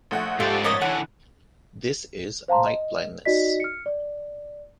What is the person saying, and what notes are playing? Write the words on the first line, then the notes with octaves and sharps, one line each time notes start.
This is night-blindness.
A#1 A3 F#5
G#2 F4 G4 A4 D5
A#3 C#5 D#5 D#6 A6 B6
D3 E3 F#5
C5 F5 A5 A#5 C6
D#5
D#4 F#4 D5 D#5 B6
F6 C#7
D5